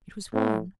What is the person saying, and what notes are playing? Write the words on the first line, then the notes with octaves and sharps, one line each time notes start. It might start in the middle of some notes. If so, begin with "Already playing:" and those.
It was warm.
A2